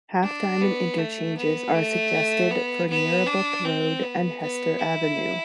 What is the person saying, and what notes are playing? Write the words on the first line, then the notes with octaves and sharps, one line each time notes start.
Half-diamond interchanges are suggested for Neerabup Road and Hester Avenue.
D4
B3
A3
B3
A3
B3
B3
D4
C4
B3
B3
E4